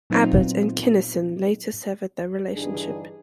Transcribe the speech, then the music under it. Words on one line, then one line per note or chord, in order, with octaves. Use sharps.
Abbott and Kinison later severed their relationship.
A#2 F#3 B3 C4 D#4 F4
G2 D3 E3 D4 D#4 G#4